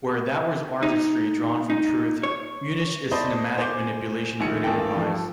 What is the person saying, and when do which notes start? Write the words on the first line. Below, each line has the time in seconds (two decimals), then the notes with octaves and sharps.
Where that was artistry drawn from truth, Munich is cinematic manipulation rooted in lies.
0.83 D#4
1.70 D#4
2.23 C#5
3.11 C5 D5 D#5 A5 B5 C6
3.58 C5 G#5 C6 D6 G6
4.40 A#1 D#3 G#5 C#7
4.64 A1 A#3 A4 G5
4.96 F3 A4